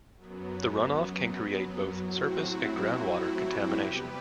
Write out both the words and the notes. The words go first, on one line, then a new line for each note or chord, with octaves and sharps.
The runoff can create both surface and groundwater contamination.
F#2 F#3 B3
A2 F#3 C4 F#4
E4
F#4
E4 G4
C3 G3 B3 G4 B4